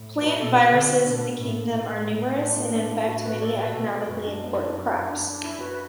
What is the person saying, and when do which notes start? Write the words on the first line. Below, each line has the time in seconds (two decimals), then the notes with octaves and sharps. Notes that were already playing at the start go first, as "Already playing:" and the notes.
Plant viruses in the kingdom are numerous and infect many economically important crops.
Already playing: A2
0.22 F#4 B4
0.39 B2 A4 D5
0.56 F#4 B4
0.72 D3 A4 D5
0.89 F#4 B4
1.06 B2 D4
1.40 A2
1.74 A2
2.41 D4
2.58 B3
2.75 D4
2.91 E4
3.08 A2 F#4
3.25 F#4 B4
3.41 A4 D5
3.58 F#4 B4
3.69 A4
3.76 B2 F#4 B4
3.92 A4 D5
4.09 F#2 F#4 B4
4.26 D4
4.44 B3
4.59 D4
4.77 F#4
4.94 E4
5.11 D4
5.28 D4
5.44 E4
5.60 F#4 B4
5.71 B4